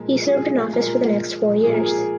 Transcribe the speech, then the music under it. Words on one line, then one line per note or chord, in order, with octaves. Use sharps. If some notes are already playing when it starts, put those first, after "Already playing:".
He served in office for the next four years.
Already playing: A#2 F3 G#3 A#4
G#4
A#2 F3 G#3 A#4
A#2 F3 G#3 G#4
A#4
G#4